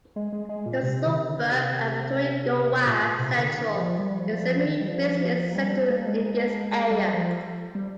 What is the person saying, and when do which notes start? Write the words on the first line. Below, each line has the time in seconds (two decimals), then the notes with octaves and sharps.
The suburb of Thuringowa Central is the main business centre in this area.
0.16 G#3
0.32 G#3
0.49 G#3
0.66 A#2
0.83 C3
1.06 D#3
1.28 D3
1.51 C3
2.86 A#2
3.03 A#2
3.19 C3
3.37 D3
3.53 D#3
3.75 F3
3.99 G3
4.20 F3
4.42 F3
4.66 D#3
4.81 G3
4.88 F3
5.55 G3
5.72 G3
5.89 A#3
6.06 G#3
6.90 G3
7.13 F3
7.75 G3